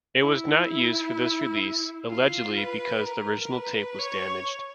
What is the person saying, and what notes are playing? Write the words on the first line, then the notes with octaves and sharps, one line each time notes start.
It was not used for this release, allegedly because the original tape was damaged.
E4
F4
B4
A#4
B4
C#5